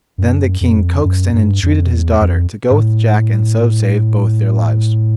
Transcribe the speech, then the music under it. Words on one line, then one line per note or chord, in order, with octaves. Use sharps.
Then the King coaxed and entreated his daughter to go with Jack and so save both their lives.
F#2
F2
F#2
F2
F#2
G2
F2
E2
F2
G#2
A2